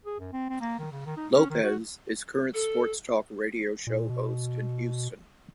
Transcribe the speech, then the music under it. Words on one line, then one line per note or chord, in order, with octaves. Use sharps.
Lopez is a current sports talk radio show host in Houston.
G#4
F#2
C4
C4
A#3
D#3
C#3
D#3
D#4
C#4
D#3
F#4
A4
A#2
B2